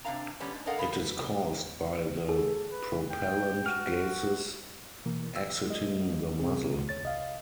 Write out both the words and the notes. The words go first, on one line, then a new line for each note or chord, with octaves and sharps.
It is caused by the propellant gases exiting the muzzle.
C3 G#3 D4 F5 A#5
D3 G3 B3 C#4
G#2
D4 A4 A#4 D#5 F5 F#5
A2 C#3 B3 B4 F5
B4
G#4 A4
B4
G5
F#4 F6
B2 E3 A#3
E6
G#3 D#5
C#2 C3 C4 G#4
D#2 C#5 A6
C2 D#5 F5